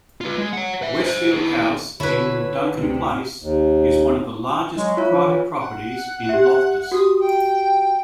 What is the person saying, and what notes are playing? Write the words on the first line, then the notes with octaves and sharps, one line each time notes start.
Westfield House in Duncan Place is one of the largest private properties in Loftus.
F4 B4
G#3
C#5 F#5
B4 E5
G#4 C5
E4 G#4
D3 E4 B4 C#5
D2 C3
D#2
F#3 G#3
E4 F4 C#5
F3
E3
F#5
G4 E5
F#4 G4 D#6
G5